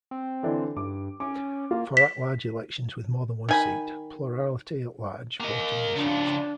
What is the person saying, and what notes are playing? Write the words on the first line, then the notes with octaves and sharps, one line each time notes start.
For at-large elections with more than one seat, plurality-at-large voting is used.
C4
D3 E3 D4
G2 D6
C#4 D6
A#3 F4
B6
D#3 G#5 B5
A#3 D#5
C#3 F3 D4